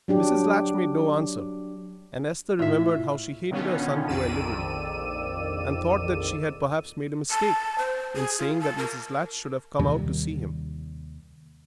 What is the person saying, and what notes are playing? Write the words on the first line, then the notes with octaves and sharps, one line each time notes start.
Mrs. Latch made no answer, and Esther remembered how she hated her son to wear livery, and thought that she had perhaps made a mistake in saying that Mrs. Latch should have come out to see him.
F#3 D4 G4
A2 F4 E5
B2 D3 D#3 B3 C#4 F4
A#1 F2 D#3 D5 E6 D#7
A5
C5
G#4
F4
A5
A#4
D#2 C3 G3